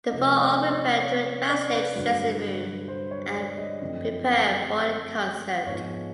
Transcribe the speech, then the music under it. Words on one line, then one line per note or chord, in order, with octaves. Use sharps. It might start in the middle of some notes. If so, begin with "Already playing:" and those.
The four all repair to a backstage dressing room and prepare for a concert.
C3 F3 A3 C4 D#5
D5
C#5
C#5
D5
B4
G2 D3 F#3
C5
C#5
D5
D#5
F#2 D3 F3 A3 C4
G#2 F3 G#3 B3 C#5